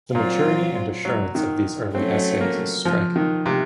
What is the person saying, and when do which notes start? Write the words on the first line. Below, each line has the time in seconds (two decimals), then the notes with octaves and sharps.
The maturity and assurance of these early essays is striking.
0.15 A#2 F#3 C4 F4
1.05 F#3
1.35 D#3
1.95 F#3 A3 C4 C#4
2.41 A#3
2.85 F3
3.16 D#3
3.46 C3